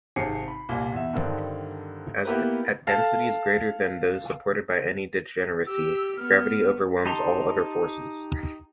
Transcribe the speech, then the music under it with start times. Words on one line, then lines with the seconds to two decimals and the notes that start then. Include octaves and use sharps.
At densities greater than those supported by any degeneracy, gravity overwhelms all other forces.
0.16 G#1 C3 G#4 C7 C#7
0.48 B5
0.69 C2 A#2
0.92 E2 E5
1.13 G2 D3 D#3 C4
2.25 A#3 B3 E4 G4 A#4 B4
2.87 A4 F5 A5
5.67 G4 E6
6.17 B3 F6
7.06 D#4 G4 A5 A#5 C6